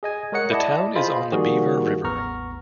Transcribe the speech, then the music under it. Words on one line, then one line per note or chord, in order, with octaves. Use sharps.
The town is on the Beaver River.
G#4 D#5 G#5
G#3 A#4 C#5 D#5 F#5 C#7
E4 D5 D#5 A5
F4 G#4 C5 D#5 B5
D#3 F3 G3 A#3 F#4 G#4
A1 E2 B3 A#5 C#6 F6